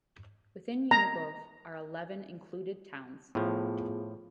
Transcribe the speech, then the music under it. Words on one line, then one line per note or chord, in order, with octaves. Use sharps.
Within Unigov are eleven "included towns".
A#5
A2 F3 B3 F4 G#4